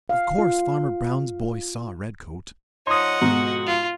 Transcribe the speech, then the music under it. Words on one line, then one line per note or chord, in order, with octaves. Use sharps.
Of coarse Farmer Brown's boy saw Redcoat.
F5
F4
F3 D#4 C#5 D#5 F#5 C6 D#6
F2 G#2 B2 F3 F#4
F4